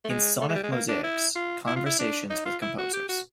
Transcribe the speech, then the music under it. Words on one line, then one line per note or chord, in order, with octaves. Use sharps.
In "Sonic Mosaics: Conversations with Composers".
A3
G#3
A3
G#3
G3
G#3
A#3
D4
E4
F4
E4
F4
E4
D4
D#4
F4
E4
F#4
G4
F#4